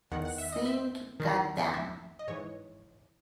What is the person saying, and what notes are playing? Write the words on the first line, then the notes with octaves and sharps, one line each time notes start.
Sing: Goddamm.
E2 D#3 F#5
F#5
E5
D#5
E5
E2 D#3
E5
D#5
G#2 E3 C#5